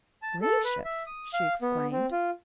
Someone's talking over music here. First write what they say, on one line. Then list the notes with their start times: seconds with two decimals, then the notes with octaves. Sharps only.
"Gracious!" she exclaimed.
0.22 A5
0.41 A4
0.64 B4
0.85 E5
1.06 D#6
1.34 F5
1.62 B3
1.92 C4
2.12 F4